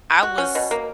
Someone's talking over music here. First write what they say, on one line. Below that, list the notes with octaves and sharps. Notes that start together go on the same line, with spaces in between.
I was,
F#4
C#4
B2
A#3